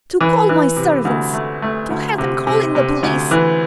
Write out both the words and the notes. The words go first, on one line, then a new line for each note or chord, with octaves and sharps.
"To call my servants--to have them call in the police."
E3
E3
C3
D2
A3
A3
D2
C3
C3
C3
D2
E3